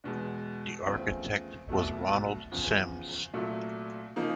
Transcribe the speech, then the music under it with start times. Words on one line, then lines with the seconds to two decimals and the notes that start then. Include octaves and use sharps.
The architect was Ronald Sims.
0.04 E2 B2 G#3
0.86 E2 C#3 F3 A3 C4
1.69 C2 B2 F#3 A3
2.51 E2 C#3 F3
3.34 C2 A#2 F#3 A3
4.16 C#3 F3 A#3 D#4